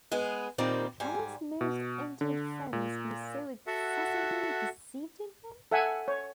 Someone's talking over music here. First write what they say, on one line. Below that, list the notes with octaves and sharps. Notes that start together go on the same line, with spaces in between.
Can his most intimate friends be so excessively deceived in him?
G#3 B3 G#4
A#2 D#3 G3 A#3 C4 D5
G#2 G3 G#5
B2
D3
A#2
F#4 A4 E5 F#5
A4 E5 F#5 G#5
C#5